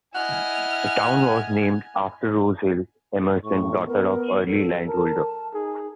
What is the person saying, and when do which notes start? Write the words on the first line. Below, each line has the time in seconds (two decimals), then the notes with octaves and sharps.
The town was named after Rose Hill Emerson, daughter of early landholder.
0.15 E4 D#5 F#5 G#5 F6
3.44 A2 C#6
3.87 B3 A#4
4.46 F#3 A4
4.87 A#4 A5
5.54 D#4 G#4